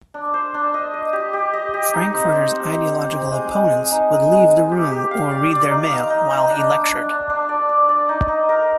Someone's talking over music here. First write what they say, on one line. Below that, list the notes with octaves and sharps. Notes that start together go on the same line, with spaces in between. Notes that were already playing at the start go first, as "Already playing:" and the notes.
Frankfurter's ideological opponents would leave the room or read their mail while he lectured.
D4
C5
D4
D#5
D#5
G4
G4
D#5
G4
D#4
C4
C4
C4
C4
C4
C4
G#3
G#3
G#3
D#4
G#3
G#3
G#3
G4
G4
F5
D5
D5
D#4
F5
D#4
D#4
D4
D4
D4
D4
D4
D5
D5
D5
D#4
D#4
A#4